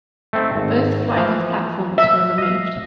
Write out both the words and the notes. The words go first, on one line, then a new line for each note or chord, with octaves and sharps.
Both flying-off platforms were removed.
A3 C4 D#4
G#1
E3 F3
E5
D#5 F5